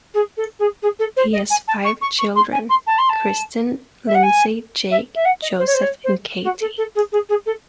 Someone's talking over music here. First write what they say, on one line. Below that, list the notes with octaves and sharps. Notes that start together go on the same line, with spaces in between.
He has five children: Kristin, Lindsey, Jake, Joseph and Katie.
G#4
A4
G#4
G#4
A4
C5
D#5
G#5
A5
C#6
C#6
C#6
C6
G#5
C6
A5
C6
A5
E5
F#5
G#5
E5
E5
F#5
D#5
C5
C#5
C5
C#5
C5
F#4
A4
A4
G#4
G#4
G#4
A4